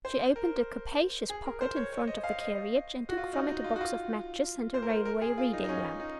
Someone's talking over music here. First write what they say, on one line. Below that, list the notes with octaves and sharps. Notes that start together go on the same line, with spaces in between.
She opened a capacious pocket in front of the carriage, and took from it a box of matches and a railway reading-lamp.
C5
A#4
G#4
A#4
C5
C#5
C#5
D#5
F5
D#5
F#4
F4
D#4
D#4
F4
F#4
F4
C5
A#4
C5
A#4
G#4
F4
D#4
D#4
C#4
D#4